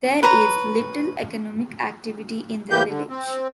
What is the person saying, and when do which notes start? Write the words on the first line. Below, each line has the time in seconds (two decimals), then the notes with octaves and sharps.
There is little economic activity in the village.
0.23 B4 C#5 A#5
2.70 A2 E3 A#3 G4 G6
2.89 D3
3.09 C4